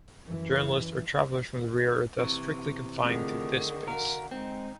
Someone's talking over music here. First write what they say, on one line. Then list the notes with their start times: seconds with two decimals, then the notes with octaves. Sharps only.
Journalists or travelers from the rear are thus strictly confined to this space.
0.24 F#2 E3
2.19 C3 E3 C#6
3.04 D3 D#3 A3 C4 F4 G#4 C#6
3.88 F#4 A#4 F5 F#5
4.31 G#3 C4 D#4 G5